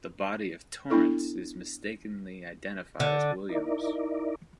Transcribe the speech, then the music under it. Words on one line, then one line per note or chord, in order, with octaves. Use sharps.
The body of Torrance is mistakenly identified as Williams.
B3 D4 E4 A4
D3
D#4 E4 A#4 D5